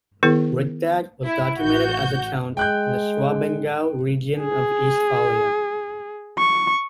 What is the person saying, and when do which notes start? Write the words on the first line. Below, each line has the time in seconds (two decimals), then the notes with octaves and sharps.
Rikdag was documented as a count in the Schwabengau region of Eastphalia.
0.23 D#3 B3 E4 G#4 A#4
1.25 E4
1.57 A1 F#4 G6
2.57 G#3 G5 F#6 G6
4.41 G#4
6.38 C#6